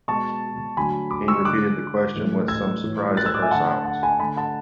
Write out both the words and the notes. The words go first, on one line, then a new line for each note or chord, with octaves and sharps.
He repeated the question, with some surprise at her silence.
B2 G#3 A5 C#6
D3 F#3 A3 G#5 B5
B5 D6
C#6 E6
D3 G#3 D6 F#6
A2 E3 A3
E6 G#6
A2 E3 A3
F#6 A6
E6 G#6
D6 F#6
E5 G#5
D3 A3 F#5 A5
F#5 A5
G#5 B5
D3 A3 G#5 B5
F#5 A5